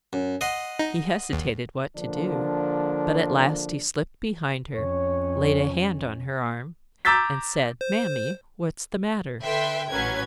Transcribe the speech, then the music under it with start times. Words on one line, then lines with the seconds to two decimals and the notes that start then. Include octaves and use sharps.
He hesitated what to do, but at last he slipped behind her, laid a hand on her arm, and said: 'Mammy, what's the matter?
0.13 F#2
0.41 D#5 F#5 C6
0.79 D#4
1.33 D#2
1.97 D3 F3 A#3 D4
4.75 F2 C#4 C#5
7.05 A#5 D6 E6 G6 A6 B6
7.81 C5
9.40 D3 A4 B4 E5 G5 C6
9.89 A1 F#3 C#4 B4 G#6